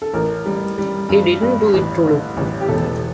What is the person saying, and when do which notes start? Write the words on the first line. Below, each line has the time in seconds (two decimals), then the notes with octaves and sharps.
He didn't do it to look cool.
0.02 A4
0.13 A1 A#4
0.46 G3
0.78 G3
1.09 G2
1.42 G2
1.73 A1
2.05 D3
2.37 A1
2.61 G4
2.68 E1 A4